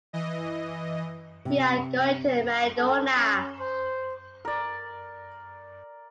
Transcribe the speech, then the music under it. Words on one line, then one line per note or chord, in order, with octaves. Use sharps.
We are going to Mediona.
E3 D#5
C3
A4
C#4
C5
A#4 D5